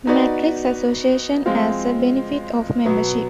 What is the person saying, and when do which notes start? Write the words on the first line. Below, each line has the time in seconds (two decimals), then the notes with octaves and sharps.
Metric Association as a benefit of membership.
0.05 B3 D#4 F#4 B4 D5
1.46 F3 G#3 C4 F4
2.85 B2 F#3 B3